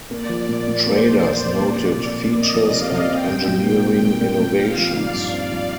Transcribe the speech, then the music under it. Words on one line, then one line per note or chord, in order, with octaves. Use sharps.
Traders noted features and engineering innovations.
A#3 D5
F3
A#2
A#2
A#3 C5
F3
A#2
A#2
A#3 D5
F3
C3
C3
A#3 D#5
F3
C3 F5
C3
C4 G5
G3
A#2
A#2
C4 G5
G3
A#2
A#2
C4 F5
F3
D#4 D5
G2
C4 F5
F3